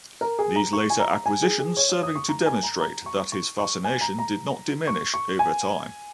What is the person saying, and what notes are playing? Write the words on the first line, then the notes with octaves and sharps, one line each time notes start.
These later acquisitions serving to demonstrate that his fascination did not diminish over time.
A#4
G#4
A#5
C#6
G#5
A#5
G#5
G#4
G#4
C#5
C#5
D#6
C#6
A#5
G#5
A#5
A#5
C#6
C#6
C#6
G#5
A#5
A#5
C#6
C#6
G#5